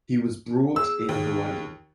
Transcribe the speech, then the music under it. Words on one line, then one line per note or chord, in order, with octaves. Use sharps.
He was brought in Hawaii.
G#4 E6
D#2